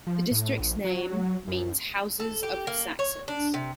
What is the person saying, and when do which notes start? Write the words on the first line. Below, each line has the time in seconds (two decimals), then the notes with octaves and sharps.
The district's name means 'Houses of the Saxons'.
0.07 F3
0.31 A2
0.60 A#1
0.85 F#3
1.48 F#2
2.20 A4
2.43 G4
2.67 A#3
2.99 C#5
3.28 D4
3.54 C3